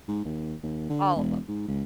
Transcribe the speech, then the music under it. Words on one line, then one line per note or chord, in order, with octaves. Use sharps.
All of 'em.
G#2
D#2
D#2
D3
E1
G#2
C#2